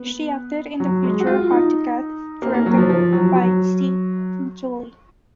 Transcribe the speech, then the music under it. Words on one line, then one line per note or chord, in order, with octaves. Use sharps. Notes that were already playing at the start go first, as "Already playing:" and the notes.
She acted in the feature "Hard To Get" directed by Zee Ntuli.
Already playing: B3
F#3
G#3
F#4
F4
D#4
A#3
A#3
F#3
F3
F3
F#3
F#3